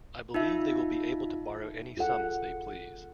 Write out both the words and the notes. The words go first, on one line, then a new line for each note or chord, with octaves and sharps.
I believe they will be able to borrow any sums they please.
D#4 F4 E5
F4 G#4 A4 F#5